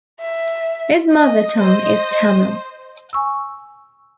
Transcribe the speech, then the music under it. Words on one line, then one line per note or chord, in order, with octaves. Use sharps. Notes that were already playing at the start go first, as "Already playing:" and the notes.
His mother tongue is Tamil.
E5
D#5
C5 D#5
G#5 C#6 E6